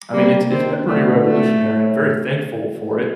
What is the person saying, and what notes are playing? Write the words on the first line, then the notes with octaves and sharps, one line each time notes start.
I mean, it's it's been pretty revolutionary. I'm very thankful for it,
G3 A#3
D#3 C4
D3 A3
A3
A2